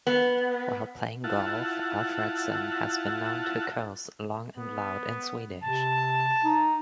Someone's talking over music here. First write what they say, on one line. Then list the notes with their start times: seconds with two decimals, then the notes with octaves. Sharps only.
While playing golf, Alfredsson has been known to curse long and loud in Swedish.
0.07 B3
1.24 E4 F4 F#5 A5
4.57 B3
5.63 C3 A5
6.45 D#4